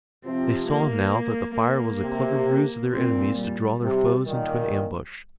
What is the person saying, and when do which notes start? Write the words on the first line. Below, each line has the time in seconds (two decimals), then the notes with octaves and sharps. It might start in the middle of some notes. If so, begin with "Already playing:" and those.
They saw now that the fire was a clever ruse of their enemies to draw their foes into an ambush.
0.25 C3 F3 C4
0.70 A#3
1.59 A#3
2.03 C3
2.92 A#2 C4
3.38 G3
3.82 C3 G3
4.27 A#2 D#3